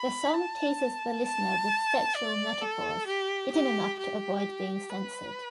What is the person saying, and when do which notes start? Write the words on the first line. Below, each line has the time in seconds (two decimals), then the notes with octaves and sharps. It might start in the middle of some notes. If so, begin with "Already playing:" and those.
The song teases the listener with sexual metaphors, hidden enough to avoid being censored.
Already playing: B5
0.34 A5
1.25 A5
2.16 D5
2.62 A4
3.07 G4
3.53 G4
3.99 G4
4.90 B4